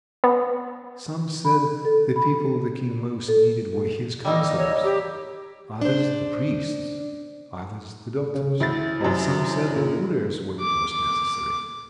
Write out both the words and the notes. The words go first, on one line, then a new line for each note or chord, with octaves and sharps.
Some said, the people the King most needed were his councillors; others, the priests; others, the doctors; while some said the warriors were the most necessary.
B3
B5
A4
B5
A4
G3 A#3 D#4 D#5 E6
C#5
G4
D4 C5
C#3
D2 E4 A6
F#2 C3
A#2
D6